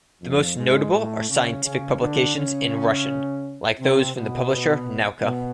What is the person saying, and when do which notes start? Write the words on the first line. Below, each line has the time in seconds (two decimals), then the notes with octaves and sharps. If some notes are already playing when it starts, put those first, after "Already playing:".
The most notable are scientific publications in Russian, like those from the publisher Nauka.
0.22 F2 F3
0.57 G#2 G#3
0.93 A2 A3
1.29 C#3 C#4
1.64 C#3 C#4
2.00 D3 D4
2.36 C#3 C#4
3.79 C3 C4
4.15 B2 B3
5.22 B2 B3